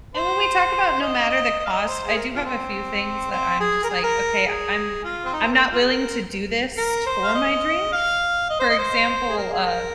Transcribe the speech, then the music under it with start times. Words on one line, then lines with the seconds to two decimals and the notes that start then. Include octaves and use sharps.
and when we talk about no matter the cost, I do have a few things that I'm just like, "Okay, I'm I'm not willing to do this for my dreams." For example, uh,
0.15 C5
1.01 D#5
1.30 D#5
1.59 D#5
1.66 F5
1.73 D#5
1.87 C5
2.07 G#4
2.16 A#4
2.35 F4
2.45 C4
3.32 C4
3.60 G#4
3.84 A#4
3.89 G#4
4.03 A#4
4.47 G#4
5.04 F4
5.25 C4
5.33 D#4
5.42 C4
5.52 A#3
5.71 F4
5.81 G#4
5.91 A#4
6.77 A#4
7.06 C5
7.24 F5
7.35 D#5
7.92 F5
8.50 D#5
8.59 C5
8.69 D#5
8.78 C5
9.29 G#4
9.37 A#4
9.51 G#4
9.65 A#4